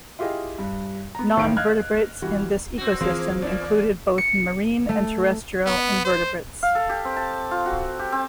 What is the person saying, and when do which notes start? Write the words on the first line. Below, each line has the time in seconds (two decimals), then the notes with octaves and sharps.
Non-vertebrates in this ecosystem included both marine and terrestrial invertebrates.
0.19 E4 F4 G4 G#4 D#5
0.59 G2
1.15 B3 A#5
1.37 A1 D#3 A3 E5 F5 D7
1.57 D#5 F5 F6 F#6 G#6
2.22 E3 G3 F#4
2.78 C4 F#4
3.01 E3 F3 A#3 C4 F4 G#4 C5
3.42 E2 A#3 D5
4.18 C#7
4.89 A3
5.66 B3
6.05 C5
6.63 F5
6.75 A4
6.89 G4
7.05 C4
7.17 A5
7.51 F4
7.66 F#4
7.99 G4
8.12 C4